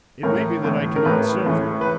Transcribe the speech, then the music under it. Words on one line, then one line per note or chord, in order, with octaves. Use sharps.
It may be that I can not serve you.
A2 E3 A#4
A2 E3
A#4
A2 E3 B4
A2 E3
B4